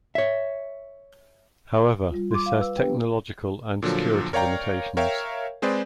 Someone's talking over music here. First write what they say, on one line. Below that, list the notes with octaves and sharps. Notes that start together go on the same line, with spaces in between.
However, this has technological and security limitations.
C#5 E5
G3 F4
C6 D6
F5
B4 E6
B3 D4 G4 B4 G5
A#2 D3 F3 F#3
A#4 C#5 D5 F5 G5 A#5
A#4 C#5 E5 F5 G5
G#3 C4 G#4 B4 C5 D5